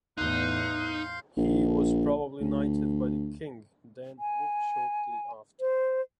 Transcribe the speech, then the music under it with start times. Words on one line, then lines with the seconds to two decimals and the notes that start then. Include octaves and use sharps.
He was probably knighted by the king then or shortly after.
0.18 E2 A2 D#4 F5 C6 F#6 G6
1.37 A#1
2.41 D2
4.19 G#5
5.60 C5